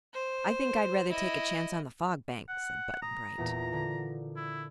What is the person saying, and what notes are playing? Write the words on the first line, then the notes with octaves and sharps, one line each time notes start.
"I think I'd rather take a chance on the Fog Bank," said Button-Bright.
C5
E4 D#5
F#5
A#5 D#6
E2 A#2
D3
E4